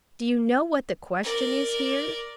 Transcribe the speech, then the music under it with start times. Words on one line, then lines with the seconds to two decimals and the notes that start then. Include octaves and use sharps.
Do you know what the question is here?
1.23 A#4 D5